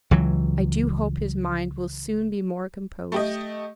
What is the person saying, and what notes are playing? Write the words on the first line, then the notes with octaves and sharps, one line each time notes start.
I do hope his mind will soon be more composed.
C#2 E3 F#3
A3 G4 D#5